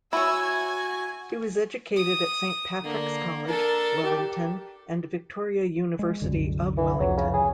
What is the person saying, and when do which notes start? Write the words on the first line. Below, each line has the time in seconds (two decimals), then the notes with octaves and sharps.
He was educated at Saint Patrick's College, Wellington and Victoria University of Wellington.
0.13 E4 F#4 C#5 G#5 E6
0.42 G#6
1.96 D#6
2.84 D3 A#3
3.47 D4 A4 A#4
4.04 G4
5.99 G#3
6.22 C2 F#2 D3
6.77 E3
7.00 C2 F2 F#3
7.17 C#3
7.34 G#4